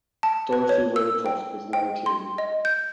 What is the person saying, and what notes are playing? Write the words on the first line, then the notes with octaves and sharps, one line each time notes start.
Dorothy Raycroft was nineteen.
A5
B4
C#5
E6
G5
G5
C6
D#5
G6